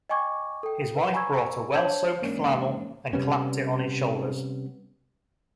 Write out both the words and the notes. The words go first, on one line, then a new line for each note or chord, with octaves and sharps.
His wife brought a well-soaped flannel and clapped it on his shoulders.
D#5 G5 G#5 C#6 D6 G#6
A4 G5
B4
G#5 A#5 B5 C#6 E6 G#6
D4 C#5 A5 G6 G#6 F#7
E2 G#2 A#3 C#4 D4
C3 G3 B3 C#4